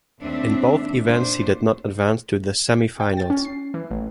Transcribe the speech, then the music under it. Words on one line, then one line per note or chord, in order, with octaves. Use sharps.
In both events he did not advance to the semifinals.
D#2 A2 C4 D4 E5
A#2 D4 C5
G5
A6
C#4
C7
E3
A1